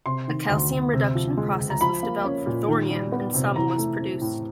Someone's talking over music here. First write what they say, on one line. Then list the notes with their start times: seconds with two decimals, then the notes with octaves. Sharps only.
A calcium reduction process was developed for thorium, and some was produced.
0.06 C3 C6
0.28 D#3
0.50 D2
0.71 D2
0.94 C3
1.15 F3
1.37 G#3
1.59 C#2
1.70 A#5
1.81 F3 B5
2.03 A#3
2.25 C#4
2.47 A#2
2.68 D#3
2.90 G3
3.12 B3
3.34 C3
3.56 E3 A#5
3.78 A3
4.00 C4
4.21 A2